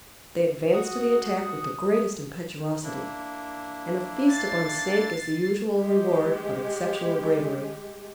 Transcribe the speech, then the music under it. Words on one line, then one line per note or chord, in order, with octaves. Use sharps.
They advance to the attack with the greatest impetuosity, and a feast upon snake is the usual reward of exceptional bravery.
F#4 D#6
A#3 D4 E4
A6 C7
G#3 G4